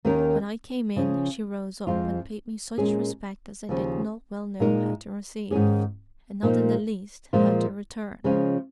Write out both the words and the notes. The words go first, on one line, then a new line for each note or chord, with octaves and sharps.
When I came in, she rose up, and paid me such respect as I did not well know how to receive, and not in the least how to return.
D#2 D#3 C#4 A#4
C#3 F3 C#4 G#4
F2 F3 G#3 F4
A#2 G#3 C#4 G#4
D#2 C#3 F3
A#2 G#3 D#4 A#4
G#2 D#3 C#4 G#4
A#2 F3 A#3 D#4
A#2 F3 G#3 F4
C#3 F3 G#3 C#4 F4